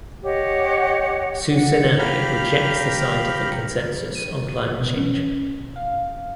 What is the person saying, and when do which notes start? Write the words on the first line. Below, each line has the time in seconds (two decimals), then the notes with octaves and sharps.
Cuccinelli rejects the scientific consensus on climate change.
0.24 G4 C#5 D#5 F#5
1.52 F#5
1.99 G4 F5 A#5 B5 F6 G6
4.15 D#7
4.60 A2
4.80 B2
4.97 C#4
5.76 F5